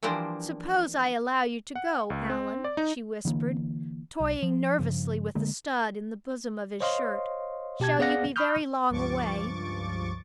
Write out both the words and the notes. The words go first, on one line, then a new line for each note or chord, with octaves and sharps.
"Suppose I allow you to go, Allan?" she whispered, toying nervously with the stud in the bosom of his shirt. "Shall you be very long away?"
E3 F3 G3 A#3 D4 C5
F#5
C#2
C4
D5
D#4
D3 E3 A3 A#3
B1
F3
G2 C#3 F3
D3 G#3 A#3
C5 C#5 D#5 F5 C6
B2 G4 A5 G#6
B3 G#4 D5 F5 F#5 A#6
B5 C#6 D#6 F6 G6
C#2 G2 F3 C#6 D6 A6